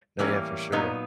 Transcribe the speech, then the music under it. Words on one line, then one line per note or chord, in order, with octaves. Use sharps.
No, yeah, for sure.
A2 E3 G3 A#3 C#4
A#2 F#3 B3 D#4